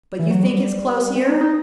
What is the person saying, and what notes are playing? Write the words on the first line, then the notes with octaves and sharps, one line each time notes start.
"But you think it's close here?"
E3
F#3
G3
C4
D#4
D#4